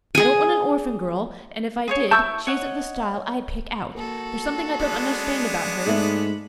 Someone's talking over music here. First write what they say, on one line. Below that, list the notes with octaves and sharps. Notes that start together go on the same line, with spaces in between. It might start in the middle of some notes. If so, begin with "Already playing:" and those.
I don't want an orphan girl and if I did she isn't the style I'd pick out. There's something I don't understand about her.
G#4 G#5
G#4 C5 C#5
E4 A5 C#6 E6 G6
C#5 D#5 F#5
A#3 F#4 A4
G#3 B3 D4
G#2 A3 E5 B5